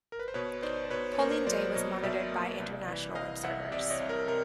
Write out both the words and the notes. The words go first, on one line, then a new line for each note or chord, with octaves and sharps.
Polling day was monitored by international observers.
A#4
B4
C5
B2 B4 C#5
D#4 C5 D5
C5
B2 B4 C#5
C#5
A#3 A#4 C5
F#3 C5 D5
B2 C#5 D#5
B2 D5 E5
A#3
C2
E3
C2 D#5 F5
C2 E5 F#5
C3 D5 E5
C#5 D#5
C2
A#4
C3 A#4